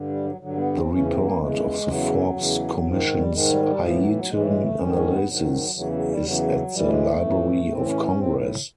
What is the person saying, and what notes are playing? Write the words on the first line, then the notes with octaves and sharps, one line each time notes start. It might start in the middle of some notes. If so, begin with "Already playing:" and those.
The report of the Forbes Commission's Haitian analysis is at the Library of Congress.
Already playing: G2 D3
G3
F#3
G2 D3 F#3
B3
C4
E2 C#3 E3 C#4
C4
A#3
E2 C#3 E3 G#3
E2 C#3 E3 F#3
E2 C#3 E3
G#2 D#3 F3
G3
G#2 D#3 G#3
G3
G3
A2 E3 F3
F#3
F#3
A2 E3 G#3
A3
G#3
A3
G#2 D#3 C#4
C#4
B3
G#2 D#3 F#3
E2 C#3 E3 F#3
F#3
G3
E2 C#3 E3 F#3
A2 E3 G3
G#3
A3
A2 E3
A2 E3 C4
C#4
C#4
A2 C4